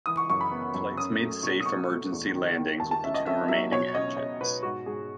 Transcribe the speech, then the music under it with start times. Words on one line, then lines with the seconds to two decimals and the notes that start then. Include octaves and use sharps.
The flights made safe emergency landings with the two remaining engines.
0.06 E3 D#6
0.17 C#6
0.30 F#2 C#6
0.41 B5
0.51 B3
0.74 F#2
0.98 C#4 D#6
1.20 A3
1.43 B2 C#6
1.60 D#6
1.66 B2 C#6
1.89 A3
2.12 E2
2.35 D#3
2.58 D#3
2.80 D#2 A5
2.91 A5
3.04 C#4 E5
3.14 D#5
3.26 C#4 E5
3.48 F#3 E5
3.72 B2 C#5
3.95 C#4 D#5
4.17 C#4 C#5
4.40 B2 B4
4.63 G#2 F#4
4.86 G#2 G#4